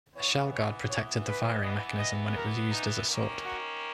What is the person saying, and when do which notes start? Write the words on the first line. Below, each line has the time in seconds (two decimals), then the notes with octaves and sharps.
A shell guard protected the firing mechanism when it was used as a sword.
0.15 E3 B3 C#5
0.51 C#5
0.88 C#5
1.25 B4
1.61 E3 B3 D#5
1.98 D#5
2.34 A#4
2.71 D#4
3.08 D#3 A#3 C#4
3.44 F#4